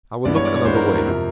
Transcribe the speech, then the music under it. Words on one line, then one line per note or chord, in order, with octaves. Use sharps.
I will look another way.
G2 E3 G#3 B3 D5
C#5
D5
C#5
G2 E3 G#3 B3 C5
A#4
A#4
F2 C3 F3